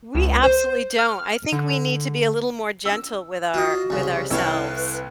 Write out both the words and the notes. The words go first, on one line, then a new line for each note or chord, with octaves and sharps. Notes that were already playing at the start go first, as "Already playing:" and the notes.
We absolutely don't. I think we need to be a little more gentle with our with ourselves.
C#2
C5
F6
D3
E6
F4 F#4 D#5
C2 C#3
C2 E4 A4 B4 C#5 F5